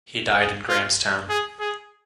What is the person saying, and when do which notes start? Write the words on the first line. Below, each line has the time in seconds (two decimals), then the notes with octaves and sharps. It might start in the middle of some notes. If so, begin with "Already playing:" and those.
He died in Grahamstown.
0.38 G#4
0.69 F4
1.29 G#4
1.60 G#4